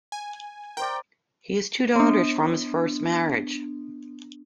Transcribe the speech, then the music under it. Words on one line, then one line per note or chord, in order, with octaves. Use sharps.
He has two daughters from his first marriage.
G#5
A#4 C5 D5 G5
B3 D4